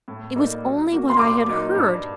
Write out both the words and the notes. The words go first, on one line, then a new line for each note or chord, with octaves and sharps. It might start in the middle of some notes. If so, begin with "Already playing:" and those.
It was only what I had heard.
A2
G3 A#3 D#4 A4
F#3
A#3 F#4
C6
A#2 D6
F#3 A#3 D#4
G2